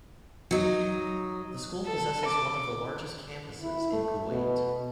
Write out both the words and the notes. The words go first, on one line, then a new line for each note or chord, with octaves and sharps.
The school possesses one of the largest campuses in Kuwait.
F#3 D#4
A4
D6
E4
A3
B2